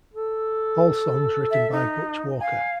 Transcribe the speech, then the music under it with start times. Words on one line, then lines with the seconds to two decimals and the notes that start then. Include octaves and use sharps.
All songs written by Butch Walker.
0.14 A4
1.50 E5
1.71 D#4
2.41 F5 G#5